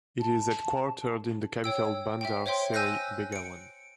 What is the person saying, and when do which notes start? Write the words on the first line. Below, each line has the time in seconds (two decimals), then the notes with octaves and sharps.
It is headquartered in the capital Bandar Seri Begawan.
0.19 A5
1.64 C#5 G5 E6
2.21 E5 G5
2.46 C5 C#5 E5 G5 C6
2.74 G#5 E6 F#6 G6 A#6
3.32 C#7 D7